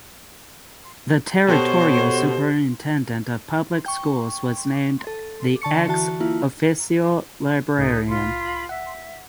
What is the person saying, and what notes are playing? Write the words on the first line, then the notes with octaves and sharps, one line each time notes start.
The Territorial Superintendent of Public Schools was named the Ex Officio Librarian.
B2 G4 A4 C5 C#5
G5 C#6
A4
D3 A5 C#6 C#7
E3 F#4 A5
A#3 E4 F4
C#2 A2 D#4 A4
C2 F4 B5 C6
E5 F#5